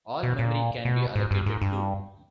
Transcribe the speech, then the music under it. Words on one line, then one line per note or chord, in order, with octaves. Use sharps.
All memory can be allocated too.
B2
A#2
B2
G#2
G2
G#2
G2